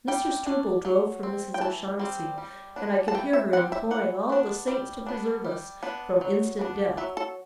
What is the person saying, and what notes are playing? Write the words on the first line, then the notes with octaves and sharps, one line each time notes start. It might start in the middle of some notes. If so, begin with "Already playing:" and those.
Mr. Struble drove for Mrs. O'Shaughnessy, and I could hear her imploring all the saints to preserve us from instant death.
G3 G5
D4
F#3
C4
G5
E3 A5
G3 C4
G3
B3 D4
A5
E3 G5
E5
G3 C4 F#5
E5
E3 F#5
B3 D4
G3
B3 D4
G3
B3 D4
F#3
B3 D4
F#3 E5
A4